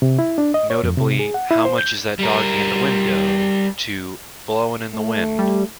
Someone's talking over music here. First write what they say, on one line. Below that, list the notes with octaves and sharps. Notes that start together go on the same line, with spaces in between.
Notably "How much is that Doggy in the Window", to "Blowin' in the Wind".
C3
E4
D4
D#5
C#5
F2
C3
G#4
F#5
E4
C5
G6
G3 A#4
A3
G3